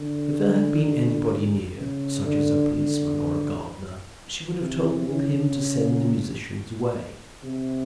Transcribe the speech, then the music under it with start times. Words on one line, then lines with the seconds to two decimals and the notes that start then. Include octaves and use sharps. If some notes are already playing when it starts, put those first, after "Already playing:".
If there had been anybody near, such as a policeman or a gardener, she would have told him to send the musicians away.
Already playing: D3
1.78 C#3
2.25 D3
2.73 D3
4.61 C3
5.08 C#3
7.44 C3